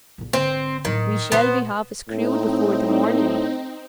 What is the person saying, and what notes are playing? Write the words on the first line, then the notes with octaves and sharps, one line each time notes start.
We shall be half screwed before the morning.
A#1 F2
G#1 D3 C4
A2 D#3 F#3
A#2 B3 C5
A2 C4 D#4